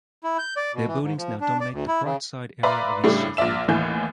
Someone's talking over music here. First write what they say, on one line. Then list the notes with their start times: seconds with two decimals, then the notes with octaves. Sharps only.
Their buildings now dominate the Brightside area of East Sheffield.
0.24 E4
0.38 G6
0.57 D5
0.74 B2
0.87 E3
1.02 G#2
1.17 F3
1.41 D4
1.61 D5
1.73 D2
1.88 E4
2.04 C#3
2.63 B4 D5 E5 F5 A#5 C6
3.04 A2 C#3 G3 A3 D4
3.37 A#1 F4 D5 E5 E7
3.68 A1 D#2 A2 E3 G#5 G6